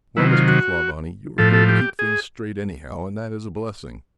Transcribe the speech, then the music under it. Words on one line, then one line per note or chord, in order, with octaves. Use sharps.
"Well, Mr. Clawbonny, you are here to keep things straight anyhow, and that is a blessing."
C3 D#3 F#3 E4
F4
F#4
A2 F3 A4
A4
G4
G#4